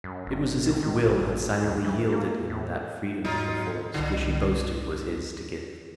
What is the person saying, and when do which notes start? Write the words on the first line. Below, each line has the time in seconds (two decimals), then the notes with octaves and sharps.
It was as if Will had silently yielded him that freedom of the forest which he boasted was his to give.
0.04 F#2
0.27 G1
0.66 C2
0.83 D#3
1.03 A#1
1.21 A1
1.64 D#2
1.84 E3
2.12 A#3
2.50 A2
3.25 G#2 F#3 D#4 F4
3.94 C2 G2 D3 F4